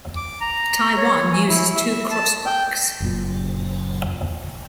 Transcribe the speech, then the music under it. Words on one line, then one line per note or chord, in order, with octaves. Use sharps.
Taiwan uses two crossbucks.
D6
A#5
C#5
G#5
E4
E5
A5
G5
F#1 F#2 A#2